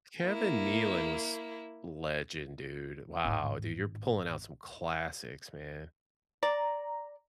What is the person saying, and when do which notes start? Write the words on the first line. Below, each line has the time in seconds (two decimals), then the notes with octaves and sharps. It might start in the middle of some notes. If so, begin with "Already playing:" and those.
Kevin Nealon was legend, dude. Wow, dude, you're pulling out some classics, man.
0.25 A#3 E4
3.25 G#1 A2
6.43 D5 A#5